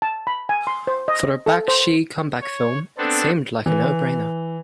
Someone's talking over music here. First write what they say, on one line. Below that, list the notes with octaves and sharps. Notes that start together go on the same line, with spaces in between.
For a Bakshi comeback film, it seemed like a no-brainer.
A5
B5
G#5
C6
C5
D#5
A4
C5
C#5
B3 C4 D4 A4
E3